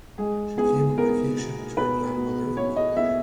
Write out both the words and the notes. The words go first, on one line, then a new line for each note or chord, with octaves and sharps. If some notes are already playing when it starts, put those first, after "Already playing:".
She came on vacation to her grandmother in the village.
G#3 G#4
B3 G#4
B3 A#4
B2
B2 B4
B2
B3 C#5
D#5
B3 E5